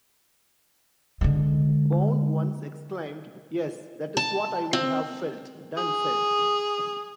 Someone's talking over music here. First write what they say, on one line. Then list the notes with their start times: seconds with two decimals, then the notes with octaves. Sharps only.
Bourne once exclaimed: Yes, that is what I would have felt, done, said!
1.21 D3 G#3
4.17 A5
4.73 C4
5.77 G#4